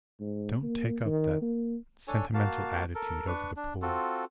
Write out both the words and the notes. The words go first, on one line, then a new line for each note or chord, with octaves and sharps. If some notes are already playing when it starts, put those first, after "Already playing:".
Don't take up that sentimental attitude over the poor.
G#2
A#3
D#3
A#3
D4 A4 C#5 G#5
A#3 F#4 F5 A5
A4 A#4
D4 B4 C#6
D4
C4 F4 F#4 A4